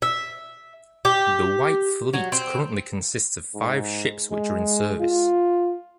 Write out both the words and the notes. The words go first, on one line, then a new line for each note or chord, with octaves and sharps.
The White Fleet currently consists of five ships which are in service.
E5
G4
F#3
C4
G#2
G#3
F4